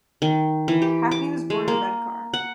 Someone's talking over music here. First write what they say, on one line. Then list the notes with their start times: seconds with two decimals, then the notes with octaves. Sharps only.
Hackney was born in Redcar.
0.22 D#3
0.68 E3
0.82 G4
1.11 D6
1.50 G#3
1.68 A#3
2.34 F#5